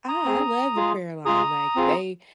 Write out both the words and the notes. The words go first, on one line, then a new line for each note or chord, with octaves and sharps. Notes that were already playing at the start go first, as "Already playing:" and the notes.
I I love the prayer line, like, they,
A#5 D#6
C4 G#4
G#3 F4 G#4
G#3 F4 G#4 A#5 D#6
C4 F4 G#4